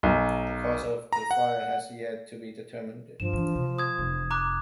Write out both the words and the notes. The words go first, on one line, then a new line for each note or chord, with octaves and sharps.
The cause of the fire has yet to be determined.
B1
A#5
F#5
G2 F3 E7
E3 D4
C3
D#6 G#6
F1
A#5 D6 F#6